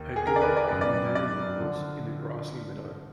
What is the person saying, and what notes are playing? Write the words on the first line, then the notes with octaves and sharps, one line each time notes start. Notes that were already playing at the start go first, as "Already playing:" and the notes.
A girl picking dandelions in a grassy meadow.
Already playing: D#2 D#3
G#4
A#4
D5
B4
D5
F#2 D#3 B4
D5
D5
D3 F3